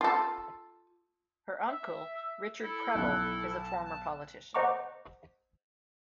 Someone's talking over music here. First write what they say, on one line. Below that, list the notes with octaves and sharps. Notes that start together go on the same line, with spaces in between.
Her uncle Richard Prebble is a former politician.
F4 A4
E5
E4 A4
B1 F#6
A5
C5 D#5 F#5 A#5 C#6 D6